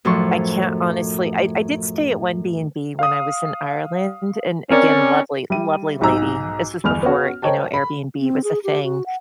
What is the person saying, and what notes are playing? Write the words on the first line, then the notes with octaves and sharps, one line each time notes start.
I can't honestly I I did stay at one BnB when I was in Ireland. And, again, lovely, lovely lady. This was before, you know, Airbnb was a thing.
F#2 A2 F3 D4 C6 C#6
F5 D#6
C4 C#4 A#4 D5
G3 E5 D#7
B1 G#2 D#4 A#5 E6
G1 E2 F6 F7
B3 C#4 F#4
A#4 C5 C#5 D#5 G5 A5
B5
C4
G#4
G4
F#4
F#5